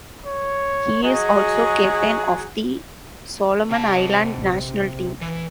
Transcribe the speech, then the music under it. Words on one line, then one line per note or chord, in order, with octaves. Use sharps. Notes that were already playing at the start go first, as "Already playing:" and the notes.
He is also captain of the Solomon Island national team.
C#5
F#3 F#4 G#4 D#5
C3 A5
A#1
E3